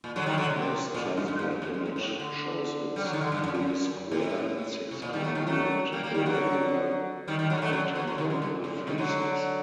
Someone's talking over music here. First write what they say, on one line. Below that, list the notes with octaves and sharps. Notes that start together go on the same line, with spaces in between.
This transparent image shows its three square, and six congruent irregular pentagonal faces.
A#2
D3 F#3
D#3 G3
D3 F#3
C3
A#2
A2
G2
G2
G2
F#2
F#2
G2
G2
A2
A2
D3
G3
F#3
D#3
D3
G2
F#2
F#2
A2
C3
A#2
D#3 G3
F#3 A3
D#3 G3
F#3 A3
G3 A#3
G3 A#3
D#3 G3
D3 F#3
D#3 G3
D#3 G3
D3 F#3
G3
F#3 A3
D3 F#3
D3 F#3
D3 F#3
C3 D#3
D3
C3
A2
G2
C3 D#3
D3 F#3